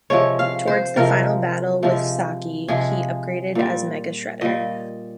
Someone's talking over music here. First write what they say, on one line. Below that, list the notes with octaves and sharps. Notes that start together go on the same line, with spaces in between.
Towards the final battle with Saki, he is upgraded as Mega Shredder.
C3 F3 G#3 C#5
F5
C5
C3 F3 G#3 A#4
C3 F3 G#3
C3 F3 G#3 G#4
A#2 G3
A#2 G3 D#5